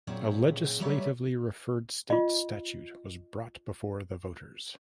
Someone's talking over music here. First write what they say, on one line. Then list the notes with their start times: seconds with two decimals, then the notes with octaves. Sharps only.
A legislatively referred state statute was brought before the voters.
0.07 A#2 F#3 C4 C#4 E4 G#4
0.80 F#3 G3 A3 B4 C#5 E5
2.10 F4 D#5